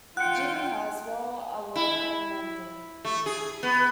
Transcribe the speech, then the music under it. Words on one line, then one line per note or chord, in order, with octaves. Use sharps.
'Jimmie Haswell', a lawyer in London.
F4 F#5 G5 F#6 C#7
E4
A3
G#4
B3